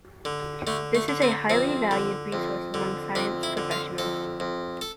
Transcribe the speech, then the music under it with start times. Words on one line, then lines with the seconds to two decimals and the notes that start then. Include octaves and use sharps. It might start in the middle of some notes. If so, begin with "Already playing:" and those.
This is a highly valued resource amongst science professionals.
0.25 D3
0.67 D3 A3
0.95 A3
1.08 D3
1.22 C4
1.50 F2 C4
1.91 D3
2.33 F2
2.74 D3
3.15 F2 D4
3.43 E4
3.57 D3
3.71 F4
3.98 F2 A4
4.40 F2
4.81 A4